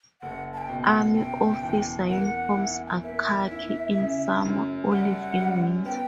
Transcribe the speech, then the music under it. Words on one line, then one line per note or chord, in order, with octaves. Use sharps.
Army officer uniforms are khaki in summer, olive in winter.
F#1 F#5
A5
G5
B2
G5
F#5
F#1 G5
E2
A#3 F#5
E4
A#3 E5
E4
C#3
F#2
G3 F#5
G3
B3 G5